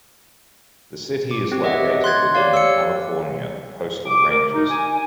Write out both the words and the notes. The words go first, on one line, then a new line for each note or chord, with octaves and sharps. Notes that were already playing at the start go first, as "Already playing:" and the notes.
The city is located within the California Coastal Ranges.
D6
C4 G4
C#5 D#5 E5 F#5
C6 F#6 G#6 A6
G4 C#5 D5 F5
E6 C#7
D6
A#4
D#4
G#5
G#5